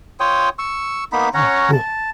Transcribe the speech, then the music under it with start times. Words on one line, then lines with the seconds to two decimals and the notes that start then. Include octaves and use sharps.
Oh, cool.
0.20 F4 C#5 G5 D#6
0.59 C#6 E6
1.12 A#3 B3 D#4 B5
1.34 C#4 C#5 F#5 A#5
1.73 A5